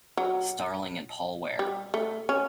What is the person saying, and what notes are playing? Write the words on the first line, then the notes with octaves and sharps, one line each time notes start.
Starling and Paul Ware.
F#3
G3
A3
C#4